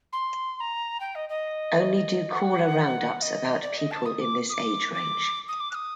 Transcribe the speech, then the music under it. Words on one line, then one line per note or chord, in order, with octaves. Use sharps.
Only do caller round ups about people in this age range.
C6
C6
A#5
G5
D#5
D#5
F#5
F#5
D#5
D5
D#5
A5
D#6
D6
D#6
D6
D6
D#6
D6
F#6
D#6